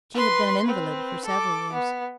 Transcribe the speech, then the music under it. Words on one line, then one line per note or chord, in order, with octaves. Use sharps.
She had been an invalid for several years.
B4 C6
C4 B4
A4 D6
B3